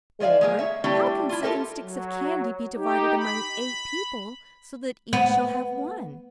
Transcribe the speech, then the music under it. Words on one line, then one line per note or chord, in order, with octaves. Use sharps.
Or, how can seven sticks of candy be divided among eight people so that each shall have one?
F3 G#3 D5 E5 F5
G#3 A#3 G#4
C#5 E5
G3 A3 C4 D4 E4 G4
E4 F4
F4 G4 A4 A#4 E5
F#3
D#4 G4
B5
B3